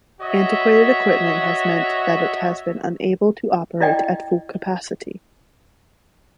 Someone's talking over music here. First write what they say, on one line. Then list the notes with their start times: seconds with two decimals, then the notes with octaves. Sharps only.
Antiquated equipment has meant that it has been unable to operate at full capacity.
0.21 F#4 C#5 D#5 E5
3.80 E4 D5 D#5 G5